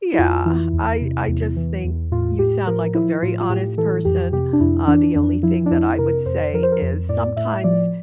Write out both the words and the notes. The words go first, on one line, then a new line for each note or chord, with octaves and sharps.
yeah, I I just think you sound like a very honest person, uh, the only thing that I would say is sometimes
E4
F2 F4
E3 E4
E2
C3
E2
E3
E2
A2 F4
A2 G4
F3 A#4
F3 E4
A2 F4
F4
A2 G4
E3 A4
F2 G4
C3 G4
D4
F2 E4
E3 D4
F2 D4
F3 E4
D4
F2 E4
C3 A#4
F2 C5
F3 A#4
C5
A#4
F2
A2 D5
A2 E5
F3 D5